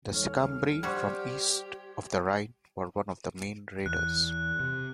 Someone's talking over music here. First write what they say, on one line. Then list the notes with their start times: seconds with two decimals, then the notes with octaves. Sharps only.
The Sicambri, from east of the Rhine, were one of the main raiders.
0.13 D#1 C#5 F6
0.83 G3 F#4 G4 C5 C6 G#6
3.86 E2 F#6
4.60 C3